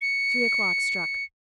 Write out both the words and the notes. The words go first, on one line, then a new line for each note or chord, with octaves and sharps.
Three o'clock struck.
C#7